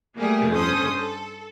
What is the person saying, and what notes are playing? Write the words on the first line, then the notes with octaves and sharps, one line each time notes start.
and, eh"
G3 A3 A#3 G#4
G2 C#4 A4 C5 D#6
A4